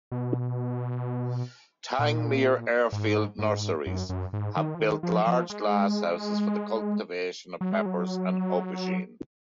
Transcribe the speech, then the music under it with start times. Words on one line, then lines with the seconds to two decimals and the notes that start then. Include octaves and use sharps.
Tangmere Airfield Nurseries have built large glasshouses for the cultivation of peppers and aubergines.
0.12 B2
1.99 A#2
2.92 G#2
3.39 G#2
3.87 F#2
4.09 F#2
4.33 G#2
4.57 D#3
4.75 F3
4.80 D#3
5.03 F3
5.27 F3
5.50 G#3
7.61 F#3
7.72 G#3
7.86 F#3